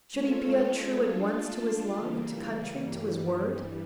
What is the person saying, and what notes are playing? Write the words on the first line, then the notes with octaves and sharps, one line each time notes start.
Should he be untrue at once to his love, to country, to his word?
G#3 C#4 F4 A4 C#5
A3 D4 F4 A4
C#3 E3 G3 A#3
G2 E3 G3